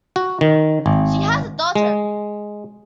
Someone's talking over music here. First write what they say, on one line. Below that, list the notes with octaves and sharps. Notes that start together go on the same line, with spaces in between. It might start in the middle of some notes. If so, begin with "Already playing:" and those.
She has a daughter.
F#4
D#3
G#1
G#3